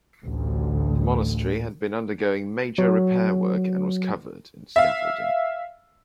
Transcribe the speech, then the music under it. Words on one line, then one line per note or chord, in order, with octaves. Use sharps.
The monastery had been undergoing major repair work and was covered in scaffolding.
A1 D2
F#3
E5 F5